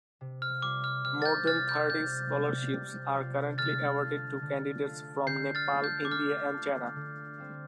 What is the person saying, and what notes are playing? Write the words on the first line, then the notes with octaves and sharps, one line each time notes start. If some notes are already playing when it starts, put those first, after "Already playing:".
More than thirty scholarships are currently awarded to candidates from Nepal, India and China.
C3
F6
G3 F4 D6
F6
C3 F6
A6
G6
G3 F4 F6 A6
G6
C3 G6
G3 F4
C3
G3 F4
D3 F6 A6
A3 F4
D3
A3 F4
D3 G6 C7
F6 A6
A3 F4
G6
D6
D3 F6
A3 F4
D3
G3 C4 F4